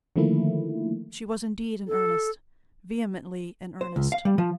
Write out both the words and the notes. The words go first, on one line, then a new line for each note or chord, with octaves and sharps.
She was indeed in earnest--vehemently in earnest.
D3 D#3 F3 A3 A#3 E4
A4
C5
C#2
F5
G3
F3